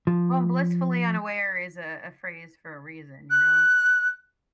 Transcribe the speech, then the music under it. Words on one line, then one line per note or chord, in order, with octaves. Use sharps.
Well, blissfully unaware is a a phrase for a reason, you know?
F3
F#6